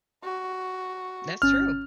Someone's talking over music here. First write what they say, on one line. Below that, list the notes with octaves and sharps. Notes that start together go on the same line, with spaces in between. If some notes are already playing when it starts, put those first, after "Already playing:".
That's true.
F#4
G1 C#4 F6 A6